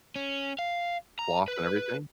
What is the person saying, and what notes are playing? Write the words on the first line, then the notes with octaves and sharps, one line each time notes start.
floss and everything?
C#4
F5
A#5
B4